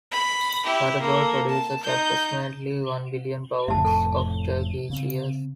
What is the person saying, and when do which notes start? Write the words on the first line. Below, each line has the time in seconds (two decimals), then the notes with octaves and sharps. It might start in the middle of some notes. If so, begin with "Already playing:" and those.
Butterball produces approximately one billion pounds of turkey each year.
0.12 B5
0.65 E4 G4
1.01 A#3 A4
1.49 A5
1.83 D#4 G6
3.68 F1 F2 A2 E5 A5
3.85 A4 A5 C#6
4.90 C#3 C4